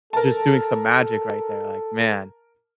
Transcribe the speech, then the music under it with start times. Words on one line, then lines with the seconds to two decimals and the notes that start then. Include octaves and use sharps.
just doing some magic right there, like, man.
0.13 A4 A#4 A5